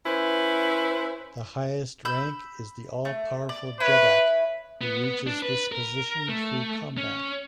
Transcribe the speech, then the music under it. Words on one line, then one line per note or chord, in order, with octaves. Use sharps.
The highest rank is the all-powerful Jeddak, who reaches this position through combat.
C#4 E4 B4 C5
B5 E6 G6
A3
D5
E4 B4 C#5
B3
D4
B4
A#4
A3
C#4